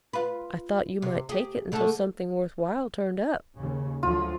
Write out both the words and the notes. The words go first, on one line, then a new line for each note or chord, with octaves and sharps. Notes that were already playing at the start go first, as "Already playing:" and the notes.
"I thought you might take it until something worth while turned up."
F4 B4
C3
G4 G#4
D3 A3 A4
D#2 C#3
D2 F3 F#3 F4